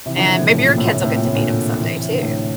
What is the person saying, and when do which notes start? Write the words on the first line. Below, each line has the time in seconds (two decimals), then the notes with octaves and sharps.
and maybe your kids will get to meet him someday too,
0.06 C3 E3
0.16 D3 F3
0.27 C3 E3
0.38 A#2 D3
0.49 A2 C3
0.64 A#2
0.78 A2
0.92 A2 C3
1.03 A2 C3
1.15 A#2
1.25 A2
1.36 A#2 D3
1.79 C3 E3
2.12 D3
2.22 A2 C3